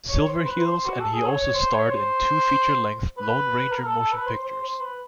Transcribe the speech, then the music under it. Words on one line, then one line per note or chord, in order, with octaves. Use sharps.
Silverheels and he also starred in two feature-length "Lone Ranger" motion pictures.
C#5
C5
B4
C5
C5
F#4
A4
G#4
C#5
C#5
C5
C#5
C5
B4
A#4
A4
A4
B4
C5
C5
C5
B4